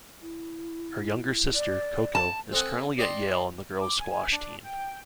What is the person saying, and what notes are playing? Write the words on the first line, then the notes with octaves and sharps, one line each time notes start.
Her younger sister, Coco, is currently at Yale on the girls Squash team.
E4
D5
A5
C4 A4 D#5 F#5 G#5
D5 D#5 G5 A5 C6
D6
G#5
D4
G5